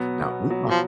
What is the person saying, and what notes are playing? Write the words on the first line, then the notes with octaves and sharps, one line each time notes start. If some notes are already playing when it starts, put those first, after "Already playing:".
Now we talk
Already playing: B2 F#3 B3
B2
F#3 B3
F3